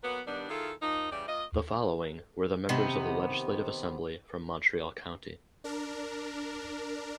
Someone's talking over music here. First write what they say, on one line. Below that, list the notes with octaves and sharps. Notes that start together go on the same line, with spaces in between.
The following were the members of the Legislative Assembly from Montreal County.
F#3 A#3 B3
G2 D#3 G3 B3 D4
D#3 E4 F4 G#4 A4
F3 A#3 D#4
C#3 E3 G3 G4 D5
A#3 F4 D#5
C3 D#3 B3
D4 A#4